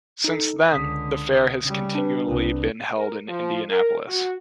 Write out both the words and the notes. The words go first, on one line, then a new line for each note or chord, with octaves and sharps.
Since then, the fair has continually been held in Indianapolis.
D#4 A4
C#2 D3 D#6 B6
C#3 G3
D4 B4
C2
A#4
F3
A#4
F#4